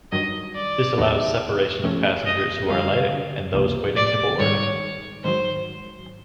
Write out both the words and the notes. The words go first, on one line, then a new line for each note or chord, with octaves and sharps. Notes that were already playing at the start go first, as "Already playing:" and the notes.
This allows separation of passengers who are alighting and those waiting to board.
G2 D#3 F#3 D#5
D5
D#2 D#3 F#3 B3 D#4
C3 F3 A3 C#4
D#5
F2 D3 G3 F5
C#2 C3 F3 A#3
D5
G#2 D#3 G3 C#5
G#2 D#3 F#3 C5